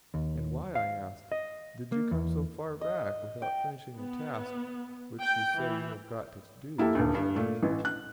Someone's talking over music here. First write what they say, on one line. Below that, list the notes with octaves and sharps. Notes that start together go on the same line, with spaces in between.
"And why?" I asked, "did you come so far back without finishing the task which you say you have got to do?"
D#2
F5
D#5
A#3
E2
D#5
G5
B3
G5
E3
A#3 E4 G4 A4
D#1 D2
G2
A#2 A3
A1 E3
F#6